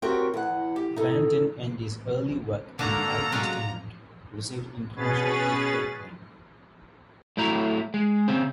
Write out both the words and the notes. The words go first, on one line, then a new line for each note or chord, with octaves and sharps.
Van den Ende's early work in live entertainment received international critical acclaim.
C4 F#4 G4 A#4 C#5
E2 F#5
G4
D#4 A4
D3 A#3 D4 F#4 A4 A#5
F#3 G#3 C#4 F4 F#5 C6
B2 C#4 G#4 B4 A6
A2 F#3 A3 E4 A#5
G#3
C#3 C4